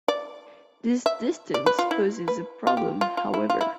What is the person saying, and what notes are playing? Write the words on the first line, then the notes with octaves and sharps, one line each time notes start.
This distance poses a problem, however.
D5
E5
D5
B4
F4
E4
B4
F4
G4
F4
F4
E4
F4
E4